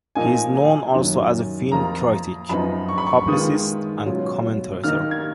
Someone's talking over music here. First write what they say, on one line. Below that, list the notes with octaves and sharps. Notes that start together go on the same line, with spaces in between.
He is known also as a film critic, publicist and commentator.
A#2 F3 A#3 D#4 G#5
G#5
F#2 D#3 F#3
F2 F3 A#3 F4 A#5
F#2 F3 B3 D#4 B5
C#6
B5
C#6
D#3 G#3 B3 F4 D#6
B2 F#3 C#4 F4
D#3 A#3 D#4 F6
G#6